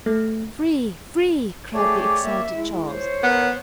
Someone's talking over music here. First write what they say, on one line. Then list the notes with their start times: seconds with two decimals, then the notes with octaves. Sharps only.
"Free! free!" cried the excited Charles.
0.06 A3
1.74 A3 G4 G#4 C#5 D5
2.23 A#3 E5
2.52 G#3 E4
2.90 C5 C#5
3.23 B3 A#4